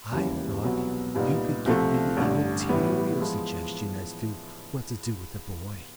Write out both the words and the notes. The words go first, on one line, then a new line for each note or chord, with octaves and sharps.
"I thought you could give me a material suggestion as to what to do with the boy."
E1 D#2 C#3 E3 G3
C2 B2 F#3 B3
C2 A#2 G3 B3 D#4
C2 C3 F3 A3
A1 G2 D3
A2 E3 G3 B3
F3 G#3 B3 E4